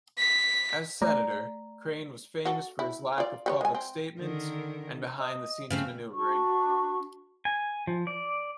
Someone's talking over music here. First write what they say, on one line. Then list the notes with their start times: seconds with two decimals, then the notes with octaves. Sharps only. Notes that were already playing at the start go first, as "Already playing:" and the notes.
As Senator, Crane was famous for his lack of public statements, and behind-the-scenes maneuvering.
0.18 B6
1.02 A3 D5 A#5
2.45 F#4 A4
2.79 E4
3.18 F4 D5
3.46 G3 B4 C#5
3.61 G#3 G#5
3.75 C4
4.19 D3 D#3 A#4
5.19 D#5
5.70 C#3 A3 C4 F5
6.10 D4 F#4 C#6
7.45 G#5
7.87 F3
8.07 D5